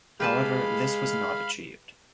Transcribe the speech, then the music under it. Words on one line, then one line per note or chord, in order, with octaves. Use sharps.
However, this was not achieved.
G#3 G4 B4 F5 A5 B5 F6